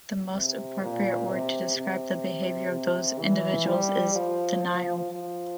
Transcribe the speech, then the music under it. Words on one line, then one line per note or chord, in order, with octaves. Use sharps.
The most appropriate word to describe the behavior of those individuals is 'denial'.
C3
A#2
C3
C3
C3
E3
G3
F3
F3
F3